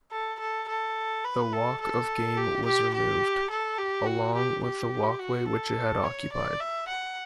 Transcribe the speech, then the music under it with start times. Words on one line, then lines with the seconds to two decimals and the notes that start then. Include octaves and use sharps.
The Walk of Game was removed, along with the walkway which it had occupied.
0.11 A4
0.39 A4
0.68 A4
1.25 B4
1.53 A4
1.81 A4
2.37 G4
2.65 G4
2.94 G4
3.50 A4
3.78 G4
4.06 F#4
4.35 G4
4.63 G4
5.19 F#4
5.48 A4
6.04 C#5
6.32 D5
6.60 E5
6.88 F#5